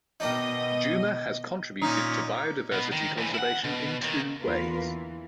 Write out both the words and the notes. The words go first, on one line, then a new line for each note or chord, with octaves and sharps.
Juma has contributed to biodiversity conservation in two ways.
B2 D#3 D4 D#4 D#5
A#2 C#4 D#4
B2 B3
D#3
D2 E3
E4 F#5
B2
D#2 D#3
E2 D3 A#3 F4 A#4 B4
E3